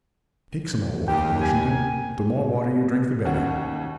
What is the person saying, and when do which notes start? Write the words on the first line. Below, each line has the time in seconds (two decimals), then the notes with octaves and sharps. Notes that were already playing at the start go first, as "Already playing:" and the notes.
Take some more water, Washington--the more water you drink, the better.
1.08 D#2 G4 G5
1.41 G#5
3.25 D#2 C#4 F#4